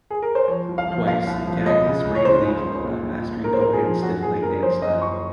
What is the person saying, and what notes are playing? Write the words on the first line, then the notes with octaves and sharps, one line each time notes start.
Twice, Cagney sprained an ankle while mastering Cohan's stiff-legged dance style.
G#4
A#4
C5
F3 C#5
C2
F5
F3
A#2 F5
C2
F3
C#2 D#5
C#3
C#2
C#5
C#3 C5
C#2
C#2
A#2
A#1
A#2
A#2 A#4
C5
A#4
A#2
G#4
F3
F#2 F#4
F#1 G#4
F#1 A#4
F3 C5
F#2 D#5
F#1 C#6